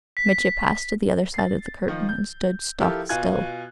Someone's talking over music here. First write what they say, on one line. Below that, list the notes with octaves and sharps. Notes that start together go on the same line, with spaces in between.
Mitya passed to the other side of the curtain and stood stock still.
B6
A6 C7
D#3 F3
G6
F3 E4 F4 G4 A4 A#4
B2 F4 G#5 F#6 G#6